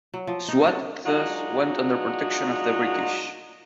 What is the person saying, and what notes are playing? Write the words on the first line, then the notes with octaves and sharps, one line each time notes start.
Swat thus went under protection of the British.
F#3
F3
D#4
F#3 D4 F#4
F#3 G#3 D4 D#4 F4 F#4